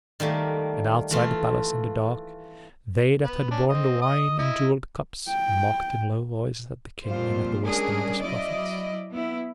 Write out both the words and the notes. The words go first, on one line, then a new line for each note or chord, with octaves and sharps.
And outside the palace in the dark they that had borne the wine in jewelled cups mocked in low voices at the King and at the wisdom of his prophets.
D#3 G3 A3 A#3
E3 A3 F4
B3 B4
C#4 D4
C4 D#5
D#5 D#6
E4 D#5
G5
F2 A#2 G3 F4 C5
G3 G#3 C#4 D4 G#4 A#4
F#3 E4 D5 D#5
B3 E4